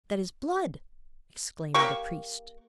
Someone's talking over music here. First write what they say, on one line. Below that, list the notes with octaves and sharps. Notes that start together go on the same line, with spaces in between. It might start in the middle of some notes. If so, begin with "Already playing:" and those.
"That is blood!" exclaimed the priest.
A#3 G4 C#6